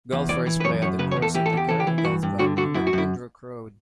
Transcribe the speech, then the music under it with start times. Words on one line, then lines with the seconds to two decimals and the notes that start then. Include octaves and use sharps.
Golfers play at the course of the Kerang Golf Club on Koondrook Road.
0.12 E2
0.29 E3 D5
0.47 E3
0.60 B4
0.64 F#2 C#5
0.82 F#2 C#5
0.99 C#3 B4
1.11 C#5
1.16 E2
1.22 A4
1.34 E3 G4
1.46 A4
1.53 E2 G4
1.69 E3 A4
1.80 G4
1.87 E3
1.98 E4
2.04 G2 F#4
2.23 G2
2.39 D3 F#4
2.57 D3 F#4
2.74 F#2 E4
2.87 F#4
2.93 F#2 E4